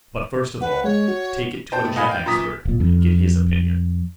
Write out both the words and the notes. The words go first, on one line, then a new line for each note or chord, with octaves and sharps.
But, first of all, take it to a gem expert, and get his opinion.
B4 F#5
G#3 C#5
F#4
C5 G5 A5
B2 A3
D#5 F5 F#5 G#5 B5
F5 G5
F#2 A#2 A#5 D#6 B6
D1 A#2
F2